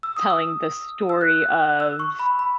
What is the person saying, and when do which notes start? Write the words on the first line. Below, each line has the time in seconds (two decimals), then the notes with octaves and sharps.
telling the story of
0.03 E6
0.16 D#6
0.30 E6
1.09 E6
1.21 F#6
1.80 E6
1.99 C#6
2.19 B5
2.39 B5